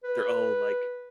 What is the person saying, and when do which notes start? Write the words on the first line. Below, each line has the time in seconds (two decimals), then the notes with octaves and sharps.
their own, like,
0.04 B4